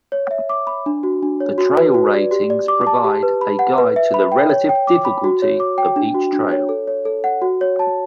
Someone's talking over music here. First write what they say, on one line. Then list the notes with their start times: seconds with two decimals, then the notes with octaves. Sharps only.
The trail ratings provide a guide to the relative difficulty of each trail.
0.12 C#5
0.31 E5
0.50 D6
0.67 B5
0.86 D4
1.03 F#4
1.23 D4
1.40 C#5
1.58 F#4
1.77 B4
1.94 F#4
2.14 D5
2.31 G4
2.50 D5
2.68 D6
2.87 A5
3.04 G4
3.23 B4
3.41 B5
3.59 F#5
3.78 B4
3.96 E5
4.14 B5
4.32 G5
4.50 C#5
4.69 G5
4.87 D6
5.05 B5
5.24 F#4
5.42 C#5
5.60 D6
5.78 G5
5.96 D4
6.15 F#4
6.33 D4
6.52 C#5
6.69 A4
6.88 C#5
7.05 A4
7.24 F#5
7.42 F#4
7.61 C#5
7.79 A5